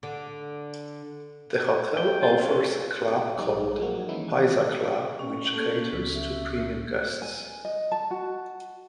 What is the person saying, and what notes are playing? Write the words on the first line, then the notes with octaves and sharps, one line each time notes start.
The hotel offers a club called Paiza Club which caters to premium guests.
D3
G5
F4
C#4
A#1 G3 D#4 D5
F3 F#3 A#3 F#4
D#3 E3 G#3 C#4 D#4 E4
C#4
A#3 A4
C#2 B3 B6
E5
G#5
D#5
A5
F#4